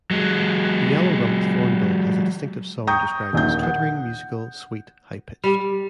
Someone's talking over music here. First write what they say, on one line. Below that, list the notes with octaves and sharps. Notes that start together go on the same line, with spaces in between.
The yellow-rumped thornbill has a distinctive song described as "twittering, musical, sweet, high-pitched".
F#3 G#3
G5 A#5 C#6 D#6 G6
D#1 A#1 D#3 G6
F#5
G3